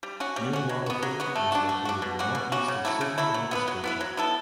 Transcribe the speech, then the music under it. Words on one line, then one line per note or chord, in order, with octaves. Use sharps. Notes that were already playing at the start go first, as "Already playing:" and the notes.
New Waterford is located northeast of Sydney, Nova Scotia.
G3
C#4 F#4
G3
C#4 F#4
F#3
B3 F#4
F#3
B3 F#4
A3
D4 F#4
A3
D4 F#4
B2
G3 C#4 F#4
B2
G3 C#4 F#4
C#3
F#3 A3 E4
C#3
F#3 A3 E4
F#3
B3 E4 B4
F#3
B3 E4 B4
F#3
B3 E4 A4